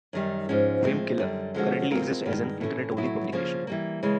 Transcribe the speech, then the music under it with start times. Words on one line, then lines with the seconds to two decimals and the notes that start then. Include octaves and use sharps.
"Wimpkiller" currently exists as an Internet-only publication.
0.13 F#2 D#3 G3
0.49 G#2 F3 G#3 C#4
0.84 A2 F3 G#3 C4
1.19 F#2 D3 G3
1.54 D3 F3 G#3 C#4 F#4
1.90 B2 G#3 C4 F4 A#4
2.25 G2 D#3 G#3 B3
2.61 A2 E3 A3 C#4
2.97 A2 F#3 B3 E4
3.32 C#3 F3 A#3 C#4
3.67 E3 G3 A#3
4.03 C#3 E3 G#3